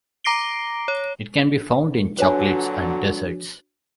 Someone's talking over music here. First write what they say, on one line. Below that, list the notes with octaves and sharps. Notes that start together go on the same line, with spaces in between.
It can be found in chocolates and desserts.
A#5 D6 A#6 C7 D7 G7
C#5
A#2 D3 F#3 D4 F#4 B4 C#5 G#5